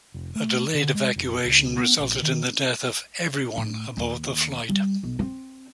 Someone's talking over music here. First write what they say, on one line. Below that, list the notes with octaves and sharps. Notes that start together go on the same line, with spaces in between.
A delayed evacuation resulted in the death of everyone aboard the flight.
F1
A3
D3
G#3
F1
C#2
B3
A#1
D#3
A2
D#2
G3
B1
C4